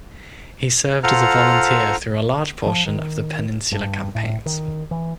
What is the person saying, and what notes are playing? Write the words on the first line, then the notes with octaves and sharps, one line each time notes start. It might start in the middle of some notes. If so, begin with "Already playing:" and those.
He served as a volunteer through a large portion of the Peninsular campaigns.
F4 A4 C5 F#5 A#5 F6
F3
D#3
G2
A2
D#3
E3